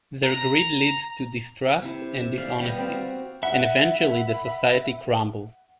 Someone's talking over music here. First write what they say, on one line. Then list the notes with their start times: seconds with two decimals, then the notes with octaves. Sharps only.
Their greed leads to distrust and dishonesty, and eventually the society crumbles.
0.24 A#5
1.82 C3 E4
2.18 E5
2.38 D5 F5 B5
2.60 G3 B3 G4 D#5
2.78 C4 D5 F5
2.94 F#4
3.43 E5 F#5 B5